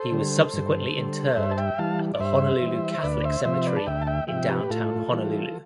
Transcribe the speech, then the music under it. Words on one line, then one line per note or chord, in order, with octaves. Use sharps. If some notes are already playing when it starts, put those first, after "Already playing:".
He was subsequently interred at the Honolulu Catholic Cemetery in downtown Honolulu.
Already playing: A4 C5
D3 G3
G2
D3 G3
G2 C5 E5
A5
E5 G5
E3 G3 F5 A5
D5
G2 C5 E5
E3 G3
C5
D2 B4 D5
C5 E5
C3 F3 C5 E5
B4 D5
A5
D2 E5 G5
A5
E5 G5
C3 F3 E5 G5
G4 B4
A2 F4 A4
E3 G3